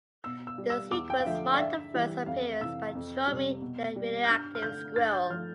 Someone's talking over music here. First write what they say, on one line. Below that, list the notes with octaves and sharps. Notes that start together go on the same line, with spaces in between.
The sequels marked the first appearance by Tromie the radioactive squirrel.
B2 E6
E6
G3
E6
E2 D6
G5
F5
D3 F3 A3 E5
D5
G2 E5
E3 G3
F2 F5
C3 E3 E6
F2
C3 G3
B2
G3
G6
G2 F6
F6
D3 A3 G6
G2 A6
G6
F3 A3 F6